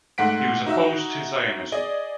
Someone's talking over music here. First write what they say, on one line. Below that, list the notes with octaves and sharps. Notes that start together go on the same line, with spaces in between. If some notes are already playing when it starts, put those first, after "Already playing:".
He was opposed to Zionism.
G#2 A3 F#5 B6 D7
D#4 F#4 E5 E6
G#4 D5 D#5